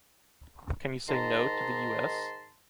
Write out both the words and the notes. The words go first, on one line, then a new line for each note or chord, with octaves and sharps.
Can you say “no” to the US?
G#2 D#3 A5 A#5 C6